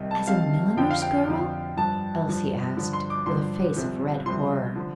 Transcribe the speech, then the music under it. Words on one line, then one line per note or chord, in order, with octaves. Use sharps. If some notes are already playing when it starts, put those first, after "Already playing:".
'As a milliner's girl?' Elsie asked, with a face of red horror.
Already playing: C2 C3 D#3
A5
C2 C3 D#3 F5
F2 D3 F3 G5
F5
G5
F2 D3 F3
G2 F3 A5
G2 F3
G2 D3 F3
C6
D6
G2 D3 F3 C6
C2 C3 F3
C2 C3 F3 C6
D3 F3